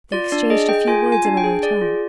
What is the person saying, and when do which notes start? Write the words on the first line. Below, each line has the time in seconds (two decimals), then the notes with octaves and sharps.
They exchanged a few words in a low tone.
0.12 F4 D5
0.32 D4 D5
0.50 G#4 D#5
0.69 G#4 G5
0.88 F4 G#5
1.06 F4
1.12 G#5
1.25 D4
1.37 G5
1.44 G#4
1.63 G#4 D5
1.81 F4